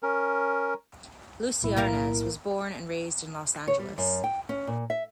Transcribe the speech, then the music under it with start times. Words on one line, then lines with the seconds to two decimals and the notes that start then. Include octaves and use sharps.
Lucie Arnaz was born and raised in Los Angeles.
0.03 C#4 A#4
1.62 B1 A2 E4
1.77 A#3 A#4 F5
3.68 C#5
3.80 G3
3.98 F#2
4.24 G5
4.49 C#4
4.67 A#2
4.90 E5